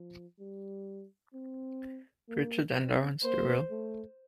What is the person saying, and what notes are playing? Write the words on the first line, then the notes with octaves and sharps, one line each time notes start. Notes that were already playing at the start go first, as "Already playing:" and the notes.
Pritchett and Lawrence Durrell.
Already playing: F3
G3
C4
A#3
C4
A#3 C5
A3